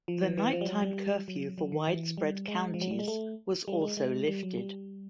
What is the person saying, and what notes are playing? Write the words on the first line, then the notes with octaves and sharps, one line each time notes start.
The nighttime curfew for Widespread counties was also lifted.
F3
E3
E3
F3
G3
F#3
G3
F#3
F#3
D#3
E3
G3
G#3
F3
F#3
G3
G#3
A3
G3
G#3
G#3
G3
F#3
G3